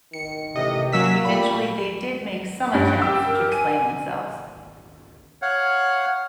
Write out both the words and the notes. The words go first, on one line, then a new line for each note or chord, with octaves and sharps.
Eventually they did make some attempts to explain themselves.
D#3 C#7
A1 C3 D#5
F#3 A#3 C#4 E6 B6
A#2 G3 B5
G2 C#4
G4 G5 E6
A#4
G#5 D#7
C#5 F5 F#5